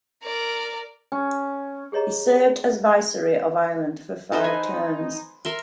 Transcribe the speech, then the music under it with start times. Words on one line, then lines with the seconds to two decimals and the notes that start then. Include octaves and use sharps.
He served as Viceroy of Ireland for five terms.
0.23 A#4 D5
1.12 C#4
1.92 G4 G#4 C#5 D#5 A#5
4.32 D#4 A4 B4 C5
4.44 G#5
5.45 A#4 E5 C6